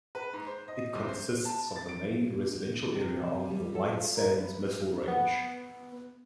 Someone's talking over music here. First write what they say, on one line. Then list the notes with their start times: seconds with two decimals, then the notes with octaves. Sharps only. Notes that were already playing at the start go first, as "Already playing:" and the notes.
It consists of the main residential area on the White Sands Missile Range.
0.15 B4
0.33 G#2
0.47 C5
0.68 D#5
0.95 C2
1.08 C5
1.45 A5
1.76 A6
1.89 D7
2.94 C3
3.22 C3
3.51 G3
3.75 A4
3.93 F4
4.17 A#4
4.38 B4
5.08 B3